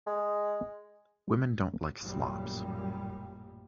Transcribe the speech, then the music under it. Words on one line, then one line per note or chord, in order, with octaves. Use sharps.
Women don't like slobs.
G#3
A1 F#2 A#2 G3